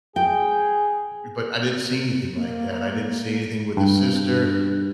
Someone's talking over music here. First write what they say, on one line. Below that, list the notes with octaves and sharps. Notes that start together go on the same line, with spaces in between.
eh, but I didn't see anything like that, I didn't see anything with his sister.
G#4 G5
A#3
G2